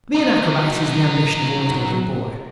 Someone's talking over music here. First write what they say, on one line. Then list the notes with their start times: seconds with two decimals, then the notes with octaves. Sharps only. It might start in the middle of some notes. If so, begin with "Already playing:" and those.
To be an acrobat is the ambition of almost every boy.
0.15 F#3 D#4